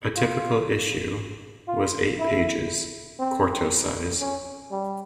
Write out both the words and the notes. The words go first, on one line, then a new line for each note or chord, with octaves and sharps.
A typical issue was eight pages, quarto size.
F4
F4
E4
C4
C#4
G3